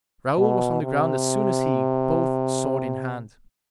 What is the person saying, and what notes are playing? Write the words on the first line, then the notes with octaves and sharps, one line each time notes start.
Raoul was on the ground as soon as he, both sword in hand.
B2
C3